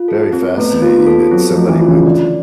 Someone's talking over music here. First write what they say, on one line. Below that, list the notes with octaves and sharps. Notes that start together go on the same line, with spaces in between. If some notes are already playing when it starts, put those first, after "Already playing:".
very fascinating that somebody would,
Already playing: F4
A4
C4
A3 B3
F4
A4
F#3 C4
F3
A3
E3
F4
C#3
D3 D5